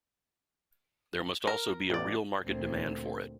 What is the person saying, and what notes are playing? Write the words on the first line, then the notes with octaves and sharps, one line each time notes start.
There must also be a real market demand for it.
A#4
A1 D5
D2 A#2 C4